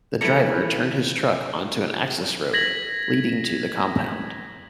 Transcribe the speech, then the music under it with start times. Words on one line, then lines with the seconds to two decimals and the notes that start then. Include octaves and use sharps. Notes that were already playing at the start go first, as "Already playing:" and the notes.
The driver turned his truck onto an access road leading to the compound.
0.21 E3 E4 A4 A#5 C#7
2.53 G#6 A#6 B6 F#7